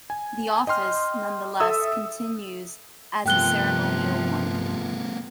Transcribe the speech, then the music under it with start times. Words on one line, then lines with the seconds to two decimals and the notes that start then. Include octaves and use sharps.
The office, nonetheless, continues as a ceremonial one.
0.10 G#5
0.67 D#5 G5 C6 F6
1.60 A4 E5 D#6 E6
3.26 G2 C3 F3 A3 B3 G5 F#6 G7